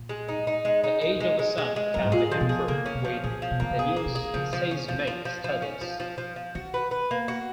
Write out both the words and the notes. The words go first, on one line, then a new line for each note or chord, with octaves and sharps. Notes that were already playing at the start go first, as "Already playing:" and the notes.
The age of the sun can be inferred with helioseismic studies.
Already playing: A#2
G#3
D#4
D#4
G#3
D#4
D#4
G#3
G#3
G#3
G#3
F#2 A#4
G#2
A#2 G#4
F3
B2
G#4
C#3 A#3
C#4
B2
F3
A#2 G#4
F3
B2
D#3 A#3
C#3
B2 G#4
A#3
B2
G#4
C#3 F3
F3
C#4
F3
F3
F3
F3
C#4
F3
F3
F3
F3
D#3 F#4
B4
B4
A#3
F#4